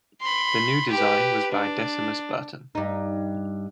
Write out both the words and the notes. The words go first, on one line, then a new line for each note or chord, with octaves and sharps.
The new design was by Decimus Burton.
B5 C6
G4 B4
D4
G2 D#4